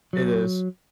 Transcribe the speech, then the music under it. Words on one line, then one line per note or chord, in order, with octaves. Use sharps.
It is.
F#3